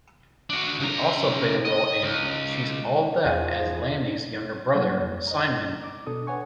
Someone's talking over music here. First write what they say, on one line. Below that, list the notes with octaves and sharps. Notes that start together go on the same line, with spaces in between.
He also played a role in "She's All That" as Laney's younger brother, Simon.
D4 F#4
C#3 A#5
D#5
C#2
E2 F3 G#4 F5
F#3 G3 A#3 E4 F#5
F2
D#5 A#5
D6
B2 D4 A4 D#6
B4 C#5 F#5 G#5 C#6